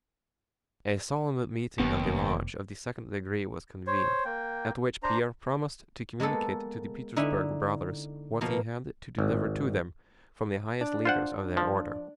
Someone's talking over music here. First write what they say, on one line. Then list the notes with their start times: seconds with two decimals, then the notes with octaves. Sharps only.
A solemn meeting of the lodge of the second degree was convened, at which Pierre promised to communicate to the Petersburg Brothers what he had to deliver to them from the highest leaders of their order.
1.80 F1 D#2 B3
3.87 C5 C#5
4.25 A#3 G5
5.03 D4 C5 A#5
6.20 G#3 A#3 B3 A4
7.16 D3 D#4 E4 E5 G#5
8.41 B2 F3 A#3 B3
9.19 G#1
10.81 D4
11.05 F4 C5 F#5
11.57 F3